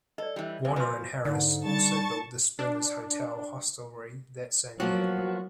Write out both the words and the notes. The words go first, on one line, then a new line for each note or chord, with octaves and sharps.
Warner and Harris also built the Springer's Hotel hostelry that same year.
A4 D5 D#5
E3 G3
F#2 C3 C5 G#5
B2 F3 B4 C6
G#2 D3 D#4
G3 A5 C#6 A6
D4
F3 F#3 A#3 B3 F#4